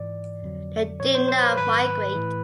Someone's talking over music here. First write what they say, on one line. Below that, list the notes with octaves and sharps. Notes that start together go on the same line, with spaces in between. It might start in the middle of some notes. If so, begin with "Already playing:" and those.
They do not migrate.
Already playing: G#2 E3 D5
F2 D3 F#3
A#2 F3 C#5
C5
C5
B4
G#2 D#3 F#3 B4
A2 E3